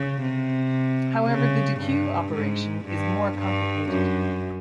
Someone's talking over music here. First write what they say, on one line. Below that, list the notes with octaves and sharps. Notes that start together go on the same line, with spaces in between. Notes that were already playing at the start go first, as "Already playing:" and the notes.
However the dequeue operation is more complicated.
Already playing: C#3
C3
C#3
G2
G#2
G2
G2
F#2